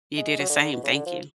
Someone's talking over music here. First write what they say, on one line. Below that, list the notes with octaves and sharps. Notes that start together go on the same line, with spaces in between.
You do the same, thank you.
G#3
F#3
D3
D3
B2
C#3
D3
F3